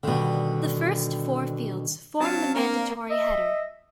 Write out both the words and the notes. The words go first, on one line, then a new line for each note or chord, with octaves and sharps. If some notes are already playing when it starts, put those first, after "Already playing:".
The first four fields form the mandatory header.
B2 D3 D#3 G3
F#3 C4 D4 F5 A5
A#3 A#4
D#5 E5